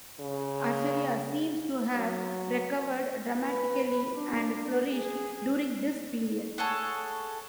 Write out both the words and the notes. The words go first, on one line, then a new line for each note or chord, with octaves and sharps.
Assyria seems to have recovered dramatically, and flourished during this period.
C#3
F#3
B4
D4
G#4
G#4 A4 C#5 F#5